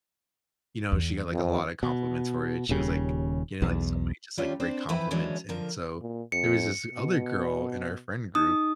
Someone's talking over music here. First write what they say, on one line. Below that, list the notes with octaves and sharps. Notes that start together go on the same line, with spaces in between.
you know, she got, like, a lotta compliments for it. She was, like you know, like, so many just, like, great compliments, and so there was this other girl in our friend group,
E2
F2
B2
D#1 D#2 C#3 G3
B1 E2
D#2 G3 C#4 D4 F4 G4
C4 D4 C5
E3 F3 C4 E4 B4
D3 E3 F#3 G#3 C#4 D4
D3 F3 A#4
A#2
F2 C#7
B2
D#4 D#6